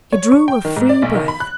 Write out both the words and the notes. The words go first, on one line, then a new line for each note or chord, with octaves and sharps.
He drew a free breath.
C#5
C#6
G5
D#3
G#2
D5
B1
D#3
B5
F#6